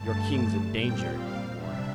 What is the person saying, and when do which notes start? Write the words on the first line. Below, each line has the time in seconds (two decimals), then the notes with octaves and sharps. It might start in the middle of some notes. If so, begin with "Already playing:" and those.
"Your king's in danger," he warned.
Already playing: G2 D3 A3 A5
0.73 A#2 G3 C4 G5
1.13 F5
1.53 C3 G3 D4 E5